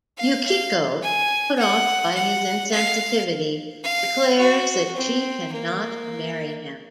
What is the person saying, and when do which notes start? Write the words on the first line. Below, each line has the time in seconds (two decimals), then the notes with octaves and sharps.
Yukiko, put off by his insensitivity, declares that she cannot marry him.
0.18 F5
0.47 F5
1.03 G#5
1.59 F#5
2.15 F#5
2.71 F5
3.84 F5
4.39 F#4
4.96 C4
5.52 A#3